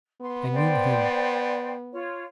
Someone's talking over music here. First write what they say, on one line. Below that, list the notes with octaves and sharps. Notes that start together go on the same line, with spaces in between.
I mean him.
B3 C6
C5 D5 G5
F4 C#5